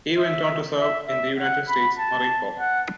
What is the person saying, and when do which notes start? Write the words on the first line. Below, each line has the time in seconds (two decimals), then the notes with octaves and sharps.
He went on to serve in the United States Marine Corps.
0.17 E5
0.78 E5
1.08 E5
1.39 F#5
1.69 B5
1.99 A5
2.59 F#5